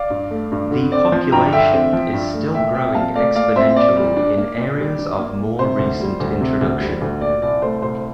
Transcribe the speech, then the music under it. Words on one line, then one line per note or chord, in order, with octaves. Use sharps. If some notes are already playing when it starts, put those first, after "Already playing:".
The population is still growing exponentially in areas of more recent introduction.
Already playing: D5 F5
G2
A3
G2
D3
C4 D5
F3
G2 G5 A#5
D3 E5 G5
C4
F3
G2
A3
A#2 E5 G5
C4 E5 G5
A#2 F5 A5
A3 D5 F5
A#2 D5 F5
C4 C5 E5
A#2 D5
G3
D4
A#3
A#2
G3
D4
A#3
A#2
C3 C5
D2
G3
D2
C3
D2
G3
D2
A#2 D5
C2 D5
A3 C5
C2 C5